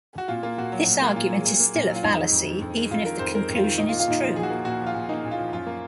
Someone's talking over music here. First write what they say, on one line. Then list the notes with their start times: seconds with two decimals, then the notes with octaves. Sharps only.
This argument is still a fallacy even if the conclusion is true.
0.18 F#4
0.28 A#2 F4
0.43 A#3 F4
0.58 A#2 F#4
0.72 F#3
0.86 A#2
1.02 A#3
1.15 A#2 F4
1.30 F#3
1.45 A#2
1.60 A#3
1.74 A#2
1.89 F#3
1.95 F4
2.03 F2 D#4
2.18 G#3
2.32 F2
2.47 D#3
2.61 F2
2.76 G#3
2.91 F2 F4
3.05 D#3 A#4
3.19 F2 C5
3.34 G#3 A#4
3.49 F2
3.56 F4
3.64 D#3
3.78 A#2 D#4
3.89 F4
3.92 A#3
4.00 F4
4.06 A#2 D#4
4.21 F3 F4
4.36 A#2 G#4
4.43 F#4
4.50 A#3
4.65 A#2 F#4
4.80 F3
4.86 F4
4.94 A#2
5.09 A#3 D#4
5.24 A#2
5.31 F4
5.38 F3
5.53 F#2 F4
5.66 A#3